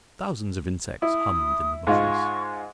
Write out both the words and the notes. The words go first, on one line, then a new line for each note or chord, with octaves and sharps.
Thousands of insects hummed in the bushes.
E4 D#6
G#2 G#3 F4 C#6